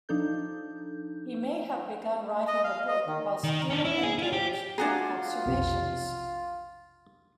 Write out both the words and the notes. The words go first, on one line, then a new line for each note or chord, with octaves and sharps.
He may have begun writing the book while still engaged in observations.
F3 D4 D#4 A4 G6
D#5
F5
D#5
D#3
D#3
C#4 D4
E4
G#4
E4 F4
G4
D4 F4 F#4 G#4 A#5 A6
B1 F2 C3